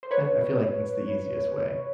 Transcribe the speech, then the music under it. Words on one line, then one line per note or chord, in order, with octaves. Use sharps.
I f I feel like that's the easiest way.
C5
B4 C#5